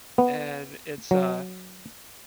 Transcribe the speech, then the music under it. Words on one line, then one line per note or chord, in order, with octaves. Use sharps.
And it's a
B3
F#3